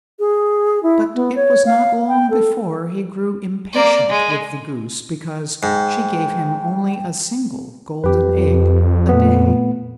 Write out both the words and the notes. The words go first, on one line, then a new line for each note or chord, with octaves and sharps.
But it was not long before he grew impatient with the Goose because she gave him only a single golden egg a day.
G#4
E4
B3
C#5
F5
G5
A4
A#3 D5
G#3
G#2 G5
F2 G4 B4
A#2 A3 B3